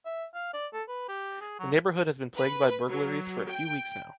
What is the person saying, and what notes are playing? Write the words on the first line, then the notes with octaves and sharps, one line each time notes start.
The neighborhood has been plagued by burglaries for a few weeks now.
E5
F5
D5
A4
B4
G4
G#4
F#3
B4
F#3
G5